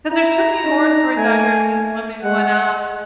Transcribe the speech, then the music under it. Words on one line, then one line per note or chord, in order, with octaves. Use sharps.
cause there's too many horror stories out here of these women going out,
E4 A#5
D#4
A3 G#5
G#3 F#5